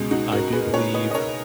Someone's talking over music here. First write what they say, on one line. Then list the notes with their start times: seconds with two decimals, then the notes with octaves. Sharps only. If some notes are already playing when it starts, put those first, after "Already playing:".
I do believe,
Already playing: C#2 B2 G#3
0.11 D#4 F#4
0.32 F#4 A#4
0.53 G#4 B4
0.73 A#4 C#5
0.94 B4 D#5
1.11 D#5
1.15 A#4 C#5